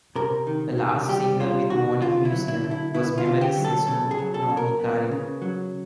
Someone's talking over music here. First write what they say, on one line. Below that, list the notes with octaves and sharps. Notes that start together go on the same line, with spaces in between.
Her last single with Morning Musume was Memory Seishun no Hikari.
C3 A#4
D#3
C3
G3 G4
C3 F4
D#3 F#4
D3 F4
E4
F#3
E4
D3
E4
B3 E4
F4
D3
G4
F#3
A4
C#3 A4
G#4
F#3
A4
C#3
A#4
B3
C#3
F#3